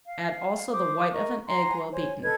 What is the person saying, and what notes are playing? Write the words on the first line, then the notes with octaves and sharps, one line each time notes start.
Add also the white of an egg well-beaten.
F5
C5 D6 D#6
A#4 D#5 C#6
F#5 G#5 A#5 C6
C5 C#5 G#5
A4 B4 D#5 G#6